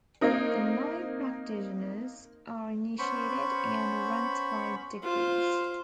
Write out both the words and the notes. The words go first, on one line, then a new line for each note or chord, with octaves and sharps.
The Mide practitioners are initiated and ranked by degrees.
A#3 C4 D#4 A#4
B3 C#4 C5 B5 C#6
F4 C5